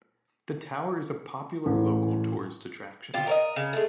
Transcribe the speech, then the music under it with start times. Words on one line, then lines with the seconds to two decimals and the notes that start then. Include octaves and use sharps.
The tower is a popular local tourist attraction.
1.66 A1
3.14 B2 F4 G4
3.27 A#4 C#5 D#5
3.56 C#3
3.73 G#3 A3